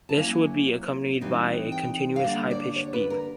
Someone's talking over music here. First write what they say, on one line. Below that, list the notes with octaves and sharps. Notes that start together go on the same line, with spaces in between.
This would be accompanied by a continuous high pitched beep.
A5
F#3 A#3 C#4 E4 G#5
E3 G3 C4 D#4
G5
F5
D3 G3 A#3 D4 F#5
D5
C#5
B4
A#4